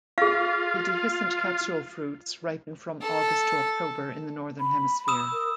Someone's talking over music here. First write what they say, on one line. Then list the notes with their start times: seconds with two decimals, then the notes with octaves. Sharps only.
The dehiscent capsule fruits ripen from August to October in the northern hemisphere.
0.18 F4 G#4 F5
3.01 A4
4.60 B5
5.08 D#6 E6 E7
5.33 A#4